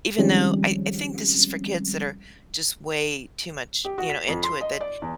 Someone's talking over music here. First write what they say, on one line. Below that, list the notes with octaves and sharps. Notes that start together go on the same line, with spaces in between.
even though I I think this is for kids that are just way too much, you know, into it that
D#3 F3 G3 G#3 C4 C#4
G4
F#4
B6
F2
C6
D#5
D5
E2